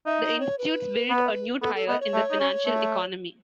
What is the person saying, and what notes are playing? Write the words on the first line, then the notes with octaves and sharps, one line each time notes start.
The institutes built a new tier in the financial economy.
D#4 E5
D#5
C#5
B4
B3
B3 A4
A4
B3 D#5
C#5
A3
D#4
C#4
A3